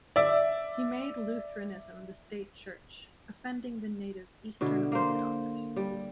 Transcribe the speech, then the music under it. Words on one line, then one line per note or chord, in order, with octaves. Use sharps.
He made Lutheranism the state Church, offending the native Eastern Orthodox.
D5 E5
B2 D3 E4
A#3 C5
G3